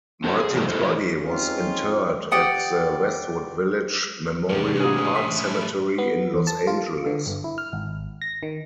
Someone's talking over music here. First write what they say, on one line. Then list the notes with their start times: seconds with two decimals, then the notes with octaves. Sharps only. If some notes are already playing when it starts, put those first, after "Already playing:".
Martin's body was interred at the Westwood Village Memorial Park Cemetery in Los Angeles.
0.24 C4 D4 F#4 A4 C5 F#5
0.40 G#4
0.53 E2 C3 F3 F#3 A#3 D4
0.69 E4 A4 C5
0.82 E3 F4 G4 B4 C#5 D#5
1.24 G#3 C4 C#4 D#4 F4
2.32 G4 D5 F#5 D#6
4.49 E2 A2 C3 G3 G#3 C#4 D4
4.80 B1 G#2 G#4
5.14 E5 A5 B5 C6 B6 C7
5.98 B3
6.34 E2
6.47 A5
6.67 F4
7.06 D3
7.27 G1
7.44 E4
7.58 F6
7.73 G#1
8.22 A#6
8.43 D#3